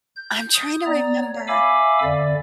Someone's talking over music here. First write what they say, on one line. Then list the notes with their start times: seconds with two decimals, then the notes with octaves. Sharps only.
I'm trying to remember.
0.16 G6
0.54 D#6
0.86 B3 D5 A#5
1.17 C#5
1.48 E5 F5 G#5 B5 D6 E6
2.03 F2 D3 D5